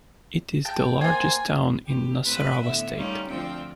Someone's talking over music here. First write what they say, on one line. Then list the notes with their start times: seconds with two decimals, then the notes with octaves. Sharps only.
It is the largest town in Nasarawa state.
0.65 G5 A5
1.01 A#3 C5 G#5 G#6 A6
1.86 G4
2.23 A2 C4 B4 B5
2.62 A2 D3 B3 E5
2.95 D#3 G3 A3 C#4 D#4 F4
3.28 D2 F3 C4 D4 G5